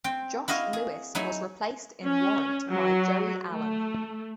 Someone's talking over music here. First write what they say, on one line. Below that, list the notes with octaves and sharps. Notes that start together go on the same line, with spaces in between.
Josh Lewis was replaced in Warrant by Joey Allen.
C4 G5
E4 F#4 D#5 F5
G#4
F#3 D#4 E4 G#4
C#4
F#3
A3